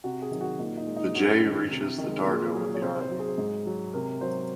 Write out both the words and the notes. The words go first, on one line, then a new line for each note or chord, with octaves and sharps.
Vijay reaches the dargah with the army.
C3 F#4
G#4
D#3 F#3
F#4
A#2 D#4
D#4
G#3
D#4
F#2 F#4
D#3 G#3
C3
D#3
G#3
A#2 G#4
F#3 G#4
C#5
C3 C5
C5
F#3
G#4
G#2
F#3
C3 A#4
F#3 C5